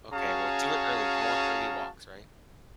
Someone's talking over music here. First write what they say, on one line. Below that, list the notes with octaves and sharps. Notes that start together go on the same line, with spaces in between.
Okay, well, do it early. Go on early walks, right?
C#4 F#4 G#4 F5 A5 A#5